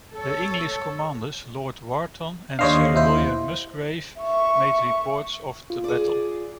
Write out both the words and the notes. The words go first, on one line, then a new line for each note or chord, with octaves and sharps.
The English commanders Lord Wharton and Sir William Musgrave made reports of the battle.
A4 C#5
D#2 D4 C5 C#5 D#5 F5
E4 C5
E5 C#6
F4
G#4 D5